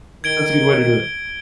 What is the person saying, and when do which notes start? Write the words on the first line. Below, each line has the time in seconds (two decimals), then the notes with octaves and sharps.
That's a good way to do it.
0.24 D#3 G#6 D7 G7